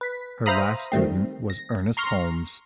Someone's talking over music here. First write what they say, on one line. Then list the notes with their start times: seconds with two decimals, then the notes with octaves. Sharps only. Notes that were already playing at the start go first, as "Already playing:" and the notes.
Her last student was Ernest Holmes.
0.01 B4 B6
0.46 C5 E5 F5 A#5 B5 D#6
0.92 D#3 G3 A3 C4
1.50 A#6
1.97 A#5 C6 C#6 F6 A#6